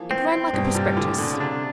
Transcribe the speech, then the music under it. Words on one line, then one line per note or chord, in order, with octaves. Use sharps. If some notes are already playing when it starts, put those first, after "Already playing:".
It ran like a prospectus.
Already playing: E3 F3 A#3
C4
C4
G2 B2
C3
A#2 G3
A2
A#2 D3
B2 D3
C#3
C3 D4